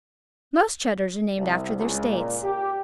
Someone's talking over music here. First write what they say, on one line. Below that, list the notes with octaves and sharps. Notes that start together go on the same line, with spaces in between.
Most Cheddars are named after their states.
C2
C#2
A#2
G4